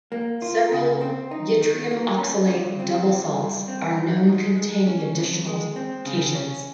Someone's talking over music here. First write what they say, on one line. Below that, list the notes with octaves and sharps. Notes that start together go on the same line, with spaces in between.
Several yttrium oxalate double salts are known containing additional cations.
A#3
F4
C#3
C4
D#4
D#3
A#3
C#4
G2
C4
G2
G2
C4
D#4
G#2
G#3
C#4
F2
G#3
C4
C#3
C#4